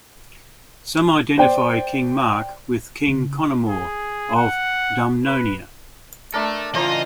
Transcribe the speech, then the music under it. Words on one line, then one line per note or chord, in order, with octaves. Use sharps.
Some identify King Mark with King Conomor of Dumnonia.
C5 D5 G5
C#3
G#4
F#5
B4
A3 D4 A4 A#4 E5
C#3 E3 F4 C5 D#5 A#5